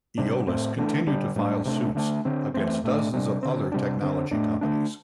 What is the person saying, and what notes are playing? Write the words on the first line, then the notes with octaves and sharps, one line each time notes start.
Eolas continued to file suits against dozens of other technology companies.
C3 G3 D4
A2 A3 C4
E3 A3 D4
D3 G3 D4
A2 G3 D4
C3 A3 D4
D3 A3 D4
D3 C4
E3 A3 C4
A2 A3 D4
C3 G3 D4
D3 C4
C3 G3 D4
D3 C4
A2 A3 D4
D3 A3 D4